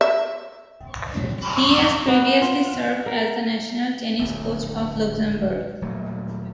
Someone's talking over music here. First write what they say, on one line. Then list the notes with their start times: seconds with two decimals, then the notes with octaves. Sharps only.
He has previously served as the national tennis coach of Luxembourg.
0.01 E5
2.08 B3
2.42 F4
3.06 A#4
4.19 D1 A#1 A3
5.82 D#1 F#3 A3 A#3